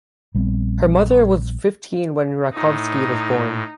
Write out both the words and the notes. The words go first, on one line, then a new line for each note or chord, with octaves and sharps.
Her mother was fifteen when Rakovsky was born.
A#1 G3 B3 C4
A2 D#4